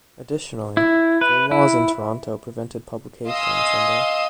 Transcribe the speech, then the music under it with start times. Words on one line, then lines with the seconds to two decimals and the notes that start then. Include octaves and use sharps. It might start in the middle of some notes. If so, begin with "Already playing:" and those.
Additionally, Blue laws in Toronto prevented publication on Sunday.
0.77 E4
1.21 B4
1.51 E4
3.29 D#5 F5 G#5 C6 D#6 E6